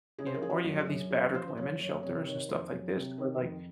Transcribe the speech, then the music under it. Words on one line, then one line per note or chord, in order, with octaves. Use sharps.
you know, or you have these battered women's shelters and stuff like this to where, like,
C#3 G#4
C5
A#4
F3 G#4
F#4
F#2
F#4
G#4
F#2
C#3 G#4
F3 C5
C5
F#2 C#5
F#2 C#5
C3 C#5
D#3 C#5
F2 C5
F#3 G#4
C3
D#3
F2